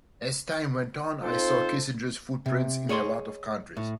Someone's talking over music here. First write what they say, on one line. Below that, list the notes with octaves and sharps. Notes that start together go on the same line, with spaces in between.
As time went on I saw Kissinger's footprints in a lot of countries.
C4 D#4 F4 A4 C5
C3
G#4 C#5 D#5 C6
A2